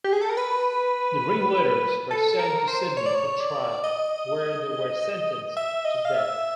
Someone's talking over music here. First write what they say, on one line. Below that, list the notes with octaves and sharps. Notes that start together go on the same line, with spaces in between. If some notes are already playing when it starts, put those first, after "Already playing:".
The ringleaders were sent to Sydney for trial, where they were sentenced to death.
G4
G#4
A4
A#4
B4
A4
A4
A#4
C5
C#5
D5
C#5
D5
D#5
E5
D#5
F5
E5